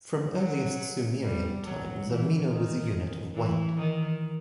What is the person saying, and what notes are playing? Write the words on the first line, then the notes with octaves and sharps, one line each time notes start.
From earliest Sumerian times, a mina was a unit of weight.
F#3
G3
F#3
E3
D#3
E3
D#3